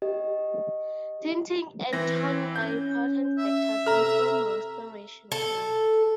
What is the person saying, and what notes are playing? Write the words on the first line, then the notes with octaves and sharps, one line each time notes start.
Tinting and toning are important factors in film restoration today.
G4 D#5
E3 C4 A#6
C#4 G6
E5
C3 A4 A#5 F6
A4